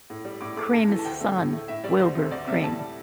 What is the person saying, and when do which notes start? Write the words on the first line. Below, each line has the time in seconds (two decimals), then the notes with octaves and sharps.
Cream's son, Wilbur Cream.
0.10 A2
0.25 G3
0.41 A2 D6
0.56 A3 D6
0.73 G2 A5
0.89 E3 A3
0.99 A5
1.05 D2 G5
1.20 D3 A3
1.37 A2
1.53 A3
1.68 A2 E5
1.84 G3 D5
1.99 D2 C5
2.16 C3 A3 C5
2.31 D2 D5
2.47 C3 G3 E5
2.63 A2 A5
2.79 G3